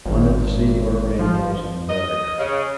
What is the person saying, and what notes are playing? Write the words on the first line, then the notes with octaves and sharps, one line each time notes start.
Wanted to see more rainbows on Barrier.
G#1
F3
D#5
C#3